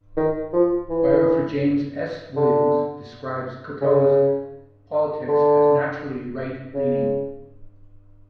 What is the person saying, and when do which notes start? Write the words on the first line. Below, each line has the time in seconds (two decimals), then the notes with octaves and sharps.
Biographer James S. Williams describes Cocteau's politics as naturally Right-leaning.
0.17 D#3
0.53 F3
0.90 E3
2.36 D3
3.82 C#3
5.28 D3
6.74 C#3